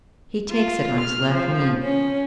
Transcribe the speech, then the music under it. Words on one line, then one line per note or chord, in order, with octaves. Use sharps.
He takes it on his left knee.
F4
F6
F3
C#4